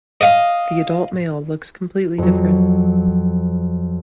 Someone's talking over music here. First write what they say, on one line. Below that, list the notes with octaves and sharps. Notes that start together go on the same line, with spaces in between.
The adult Male looks completely different.
D#5 F5
F2 F#3